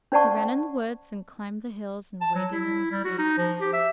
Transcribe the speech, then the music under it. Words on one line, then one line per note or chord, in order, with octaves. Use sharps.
He ran in the woods and climbed the hills and waded in the creek.
C#4 C5 D5 F#5 A5 C#6
A5
F#3
E4
G3
F#4
D#4
F3
G4
E5